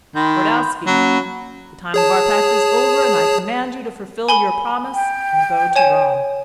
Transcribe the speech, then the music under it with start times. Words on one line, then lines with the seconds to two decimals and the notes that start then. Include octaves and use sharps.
"Twardowski, the time of our pact is over, and I command you to fulfill your promise and go to Rome."
0.15 D#3 B5 C6 G6
0.87 F#3 A#3 C#4 B5
1.94 G#4 C#5 A5
4.29 G#5 B5 G7
4.94 G5
5.76 C#5 G#5 E7